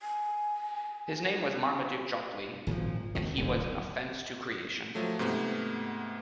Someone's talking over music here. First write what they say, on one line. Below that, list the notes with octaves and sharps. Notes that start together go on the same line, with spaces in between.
His name was Marmaduke Jopley, and he was an offence to creation.
G#5
G#1 A#2 C#3 F3
G#1 D#2 D#3
D1 B1 F#2
F3 F#3 A3
G#2 C3 A3 B3